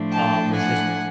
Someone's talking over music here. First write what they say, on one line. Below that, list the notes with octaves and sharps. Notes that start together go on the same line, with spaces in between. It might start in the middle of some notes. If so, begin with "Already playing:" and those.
um, was just
Already playing: A2 F3 A3 D4
G5 A5
F#5 G#5